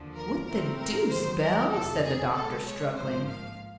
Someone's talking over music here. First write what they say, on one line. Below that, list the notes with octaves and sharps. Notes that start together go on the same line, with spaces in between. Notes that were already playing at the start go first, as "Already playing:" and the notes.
"What the deuce, Bell?" said the doctor, struggling.
Already playing: D#2 D3 F3
A#4
A2 E3 A3 C4 A#4
A#4
D#2 D#3 F#3 C5
A#4
F2 C3 D#3 A4
G#4
B1 B2 G#3 B3 A4
C#5
A1 G#2 F3 A#3 C5
F5